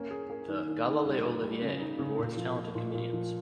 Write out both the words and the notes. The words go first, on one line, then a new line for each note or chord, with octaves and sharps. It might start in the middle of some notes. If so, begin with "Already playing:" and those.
The "Gala Les Olivier" rewards talented comedians.
Already playing: A#3 C#4
G#4
A#3
D#3
D#3
D#3
G3
A#3
G3
C#3
D#4
C#3
A#2
F3
A#2
A#2
A#2
F3